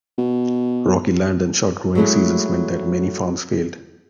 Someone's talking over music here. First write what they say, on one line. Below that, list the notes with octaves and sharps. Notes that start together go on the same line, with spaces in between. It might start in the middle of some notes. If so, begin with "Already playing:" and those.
Rocky land and short growing seasons meant that many farms failed.
B2
F#3 G#3 A3 E4 G#4